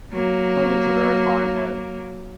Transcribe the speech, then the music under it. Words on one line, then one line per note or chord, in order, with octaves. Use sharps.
But it's a very fine head.
F#3 A#3